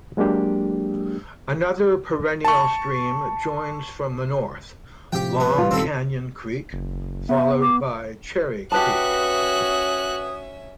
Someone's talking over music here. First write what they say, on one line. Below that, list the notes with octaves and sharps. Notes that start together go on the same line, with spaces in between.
Another perennial stream joins from the north, long Canyon Creek, followed by Cherry Creek.
F#3 G#3 A#3 D4 G4
A5 C#6
A2 C3 F3 G4 G5
B3
G3 F4
A#1 D#3 C4 A4 B5
F#1
B3 E5
D6
C#4 F#4 G4 B4 E5 A5 D#6 F#6